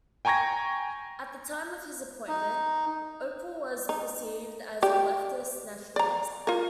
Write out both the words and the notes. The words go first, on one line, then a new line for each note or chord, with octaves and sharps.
At the time of his appointment, Ople was perceived as a "leftist Nationalist".
G5 G#5 A#5 C#6 G#6 A#6
D#4
D#4
G4 D5
D5 A#5
F4 A#4